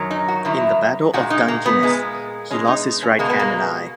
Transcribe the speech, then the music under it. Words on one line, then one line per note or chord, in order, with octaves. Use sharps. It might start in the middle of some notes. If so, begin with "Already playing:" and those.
In the Battle of Dungeness, he lost his right hand and eye.
Already playing: F#2 D#3 F#3
D#4
F#4
F#2 D#3 F#3 E4
A#2 G#3 F#4
D#4
A#3
B3
A#2 G#3
B2 G#3 C#4
D#4
C#4
B2 G#3 A#3
B3
A#3